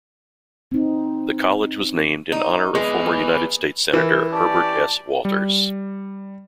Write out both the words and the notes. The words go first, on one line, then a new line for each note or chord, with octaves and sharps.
The college was named in honor of former United States Senator Herbert S. Walters.
C4 D#4
D#4
G#3 B3 G#4
E3 A#4
C#4 G4 D5 A5
G3